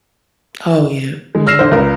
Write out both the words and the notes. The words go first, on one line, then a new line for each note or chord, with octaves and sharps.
Oh yeah, mhm.
G#3
E6 F6 A#6 C7 E7
D3 C5
C#2 A#4